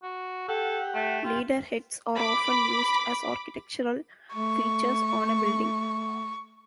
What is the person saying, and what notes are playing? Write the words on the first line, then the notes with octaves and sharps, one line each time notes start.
Leader heads are often used as architectural features on a building.
F#4
G4 A4 F#5
A3
F4 G4
B5 D6
A3 C#6